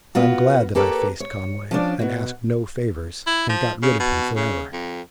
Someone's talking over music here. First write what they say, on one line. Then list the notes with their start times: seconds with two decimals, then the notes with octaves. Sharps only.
I am glad that I faced Conway, and asked no favors, and got rid of him forever.
0.15 B3 F4 F#4
0.75 A#3 G4 A4 B4 C#5
1.20 C#5
1.71 F3 C#4 D4 D5
1.99 B2 F#4
3.27 E4
3.49 F3
3.82 C#3
4.00 B2
4.36 C#3
4.73 F2